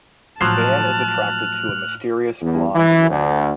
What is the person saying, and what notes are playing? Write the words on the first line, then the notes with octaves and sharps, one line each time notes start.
Van is attracted to a mysterious blonde woman.
A2 F3 F#3 C5 A5 F6 F#6
E2
E3
D2